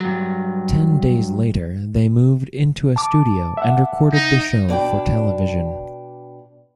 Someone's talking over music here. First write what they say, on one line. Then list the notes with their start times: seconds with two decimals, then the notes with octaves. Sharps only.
Ten days later, they moved into a studio and recorded the show for television.
0.01 G2 F#3
2.96 A5 D6
3.57 E5 F#5
4.13 D#4
4.69 B2 D4 D5 G5